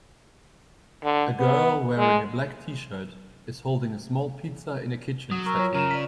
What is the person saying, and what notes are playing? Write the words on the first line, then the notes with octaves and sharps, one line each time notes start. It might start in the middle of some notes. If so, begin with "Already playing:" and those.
A girl wearing a black tshirt is holding a small pizza in a kitchen setting.
D3
B3
G#3
F#3 D#6
A#4 C#6 E6
F4 C#5
C#3 A#4 D#7 E7
F4 D5 B6